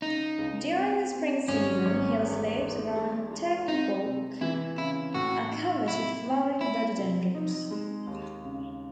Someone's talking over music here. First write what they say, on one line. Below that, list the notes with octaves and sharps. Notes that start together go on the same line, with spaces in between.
During the spring season, hill slopes around Tengboche are covered with flowering rhododendrons.
C#3 D#4
C#2
C4
C4
G#1 C#4
G#1
E2
E2
G#3
G#3
C4 D#4
C3
E3 E4
C#3 E4
A2 F#4
D#4
C3 E4
C4
C4 E4
C3
D#4
G#3
D#2
C#3